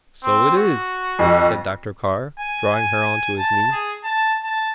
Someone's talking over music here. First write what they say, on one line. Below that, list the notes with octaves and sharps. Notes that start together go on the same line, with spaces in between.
"So it is," said Dr. Carr, drawing her on to his knee.
C4
F#4
F2
G#5
G#5
A5
G#4
A5
A5